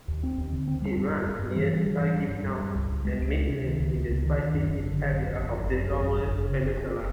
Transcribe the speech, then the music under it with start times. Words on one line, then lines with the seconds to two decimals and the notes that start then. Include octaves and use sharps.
It runs near Saginaw and Midland in the Tri-Cities area of the Lower Peninsula.
0.08 D#2
0.23 C4
0.38 D#2
0.52 D3
0.67 C4
0.82 G3
0.97 G2
1.12 G2
1.27 G2
1.42 G2
1.56 E3
1.71 G3
1.86 E3
2.01 G2
2.16 G2
2.30 G2
2.45 G2
2.60 G2
2.75 C#2
2.90 C#2
3.05 G#3
3.19 C#2
3.34 G#3
3.49 C3
3.64 D#3
3.79 C#2
3.94 C#2
4.08 C#2
4.24 D#3
4.38 D#3
4.54 F#2
4.68 G#1
4.82 D3
4.98 D3
5.13 F#2
5.28 G#1
5.42 G#1
5.58 F#2
5.72 F#2
5.87 G#1
6.02 F#2
6.17 G#1
6.31 F#1
6.46 C#3
6.61 F#1
6.77 F#1